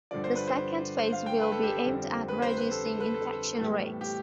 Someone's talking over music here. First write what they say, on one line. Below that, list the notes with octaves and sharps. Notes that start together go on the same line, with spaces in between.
The second phase will be aimed at reducing infection rates.
G2 D3 F3 D5
C5
B4
C5
C5
F5
G5
B4
A4
G4
F2 D3 G3 C4
B4
C5
B4
A4
A4
B4
A4
A2 E3 G3 B3
G4